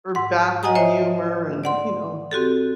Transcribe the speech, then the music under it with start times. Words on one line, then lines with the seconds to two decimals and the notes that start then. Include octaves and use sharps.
or bathroom humor, and, you know
0.15 G#2 F#5
0.63 D#5 F#5 G#5 A#5 D#6
0.75 C5 C#5 D#5 E5 G#5
1.64 D5 F#5 C6
2.31 C4 F#4 G4 A4